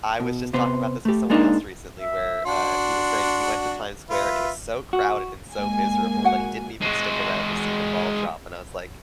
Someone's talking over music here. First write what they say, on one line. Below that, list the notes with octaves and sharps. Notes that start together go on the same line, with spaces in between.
I was just talking about this with someone else recently, where, uh, he was saying he went to Times Square and it was so crowded and so miserable that he didn't even stick around to see the ball drop, and I was, like,
B2
C3 B3 B4 C5
A3 G4
G#3 A#3 D4 D#4
E5
D4 F#4 C6
F4 B4 E5
F#4
G#3 A#3 G#5
F#4 F#5
G#3 F#4